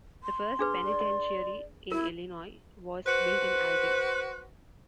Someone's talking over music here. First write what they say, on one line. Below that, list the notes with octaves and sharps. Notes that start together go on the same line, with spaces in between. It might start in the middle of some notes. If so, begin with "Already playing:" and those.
The first penitentiary in Illinois was built in Alton.
C6
D4 G#4 B4
D5
E4 A#4
F#4 B4 C5